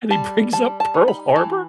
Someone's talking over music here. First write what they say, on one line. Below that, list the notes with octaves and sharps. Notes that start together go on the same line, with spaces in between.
And he brings up Pearl Harbor,
G3 A5
G3 A5
A5
D#4
B5
E3 A5